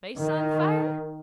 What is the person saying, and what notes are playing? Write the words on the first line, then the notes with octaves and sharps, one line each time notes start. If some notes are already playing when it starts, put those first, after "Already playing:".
Place on fire?
D#3